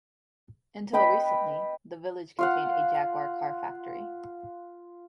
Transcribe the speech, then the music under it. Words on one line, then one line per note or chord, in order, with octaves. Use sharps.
Until recently the village contained a Jaguar car factory.
B4 D#5 G5 B5
F4 F5 F#5